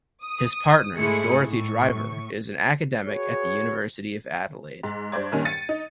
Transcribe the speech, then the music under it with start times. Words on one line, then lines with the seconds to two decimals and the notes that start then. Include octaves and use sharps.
His partner, Dorothy Driver, is an academic at the University of Adelaide.
0.24 D#6
0.98 G#2 G#3 A3 E4 G#4 C#7
1.48 A2 C#6
3.05 F#4 G#4 B4 C#5
4.83 G#2
5.12 G2 C5 D5 G#6
5.32 G2 A#2 D#3 C#4
5.45 A6 C#7 D#7
5.69 D#4